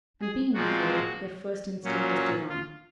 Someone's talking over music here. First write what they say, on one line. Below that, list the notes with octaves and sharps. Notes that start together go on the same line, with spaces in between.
And being afraid, their first instinct is to--run.
G#4
A#2 F3 G#3 C4 F#4
A#2 F#3 C#4
F4